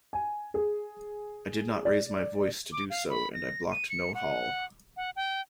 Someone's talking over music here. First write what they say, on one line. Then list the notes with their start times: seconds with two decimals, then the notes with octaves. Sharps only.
I did not raise my voice to do so and I blocked no hall.
0.13 G#5
0.54 G#4
1.85 D5
2.72 D6
2.90 F5
3.10 B5
3.34 A#6
3.72 D#7
3.89 C#7
4.15 F#5
4.97 F#5
5.16 G5